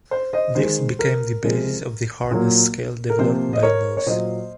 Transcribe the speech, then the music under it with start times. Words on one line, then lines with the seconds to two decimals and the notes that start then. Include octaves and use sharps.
This became the basis of the hardness scale developed by Mohs.
0.11 C5
0.33 C5 D#5
0.55 D#3 G#3 C5
0.99 A#4
1.43 C3 F3 G#3
2.31 A#2 F#3 A#3
3.10 A#4
3.19 C3 F3 A#3 C5
3.53 D#5
3.63 A#4 C#5
3.97 C#5
4.06 A#2 F#3 A#3 C5 D#5